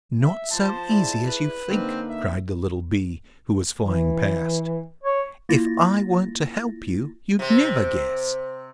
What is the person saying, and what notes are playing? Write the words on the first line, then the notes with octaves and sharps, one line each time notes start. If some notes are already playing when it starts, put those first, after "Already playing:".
'Not so easy as you think,' cried the little bee, who was flying past. 'If I weren't to help you, you'd never guess.
E5
F3 C5 A5
E4 G#4 D5
B4
D3 A#3 C4 D#4
E5
E3
C#5
A#3 E4 F4 A6 A#6
C3 C4